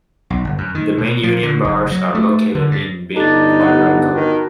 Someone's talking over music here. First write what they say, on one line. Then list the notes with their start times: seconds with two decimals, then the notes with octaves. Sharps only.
The main Union bars are located in Beit Quadrangle.
0.30 B1
0.45 G1
0.58 F#2
0.75 D#3
0.98 B2
1.23 F3
1.43 D3
1.64 F#1
1.92 F#3
2.15 A3
2.55 D3
2.71 G2
3.16 G1 D4 D#4 A4 A6
3.61 B3
4.15 D#3 F#4